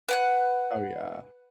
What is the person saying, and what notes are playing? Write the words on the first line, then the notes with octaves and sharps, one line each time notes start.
Oh, yeah.
B4 F#5 F#6